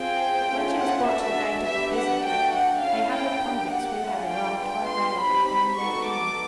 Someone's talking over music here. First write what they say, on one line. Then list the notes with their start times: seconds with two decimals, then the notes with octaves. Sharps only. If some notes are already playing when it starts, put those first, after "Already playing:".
When she was brought to the gate of the prison, a hundred convicts who had arrived by rail were being led in.
Already playing: C4 F4 G#4 G5
0.48 A3 C#4 F4 G#4
0.77 F#5
1.07 A3 D4 F#4 E5
1.66 B3 D4 G4 E5
1.96 F#5
2.25 A3 D4 F#4 G5
2.55 F#5
2.84 C#4 E4 A4 F5
3.13 G5
3.43 A#3 D4 G4
3.72 F#5
4.01 A3 D4 F4 G#4
4.31 G5
4.61 B3 D4 F4 G5
4.90 C6
5.20 C4 D#4 G4 B5
5.49 B5
5.78 B3 D#4 F#4 A4 C#6
6.07 D6